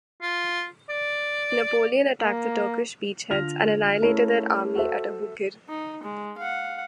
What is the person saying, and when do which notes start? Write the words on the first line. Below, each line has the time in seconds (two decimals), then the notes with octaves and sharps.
Napoleon attacked the Turkish beachheads and annihilated their army at Aboukir.
0.22 F4
0.89 D5
2.22 A#3
3.30 D3 F4 F6 A#6 F7
4.02 A3 C#4 E4 G#4 A#4
4.75 F#4 A4 C5 E5
5.69 D#4
6.03 G#3
6.38 F5 F#5